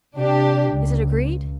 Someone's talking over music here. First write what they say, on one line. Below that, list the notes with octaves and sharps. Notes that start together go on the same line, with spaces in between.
"Is it agreed?"
C3 D4 G4
C#2